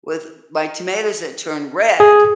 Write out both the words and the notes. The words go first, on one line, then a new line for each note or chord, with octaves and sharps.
with my tomatoes that turn red,
G#4